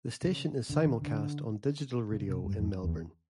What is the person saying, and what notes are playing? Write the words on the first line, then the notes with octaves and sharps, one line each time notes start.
The station is simulcast on digital radio in Melbourne.
C#3
D3
D#3
D3
C#3
C3
G2
F2
E2